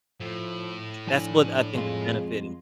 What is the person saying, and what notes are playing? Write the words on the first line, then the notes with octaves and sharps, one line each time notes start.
that's what I think the benefit is.
A2 F3
F3 D4 E4 G#5
F2 G#3 F4 G#4